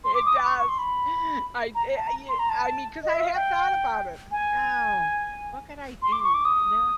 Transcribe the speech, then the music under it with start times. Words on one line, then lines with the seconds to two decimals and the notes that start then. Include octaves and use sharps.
It does. I y y I mean, 'cause I have thought about it, like, "Oh, what can I do?" You know?
0.04 C6
0.14 D6
0.26 D#6
0.36 D6
0.46 C#6
0.58 C#6
0.68 C6
0.79 B5
1.75 A#5
1.97 A5
2.07 A#5
2.29 C6
2.39 A#5
2.49 A5
3.03 D#5
3.14 E5
3.24 F5
3.35 G5
4.32 G#5
6.02 C6
6.12 D6
6.23 C#6
6.34 D6
6.45 D#6